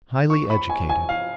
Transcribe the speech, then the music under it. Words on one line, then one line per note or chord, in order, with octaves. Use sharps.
Highly educated.
C#6
B5
G#5
G#5
F5